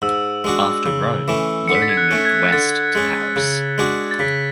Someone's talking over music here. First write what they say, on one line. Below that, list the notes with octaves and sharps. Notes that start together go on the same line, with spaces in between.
After Rome, learning moved west to Paris.
G#2 E6
G#3 D4 F#4
C#3
E3 A3 C#4
D3 C#7
B6
A6
G#6
F#6
A3 C#4
G#6
D3 A6
G#3 C#4
C#3
G#3 D4 F#4
A6
C#3 B6